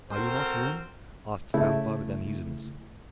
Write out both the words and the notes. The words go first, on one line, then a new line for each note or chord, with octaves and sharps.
"Are you not alone?" asked Vampa with uneasiness.
C4 F#4 A4 A#4 C5
C#3 A3 E4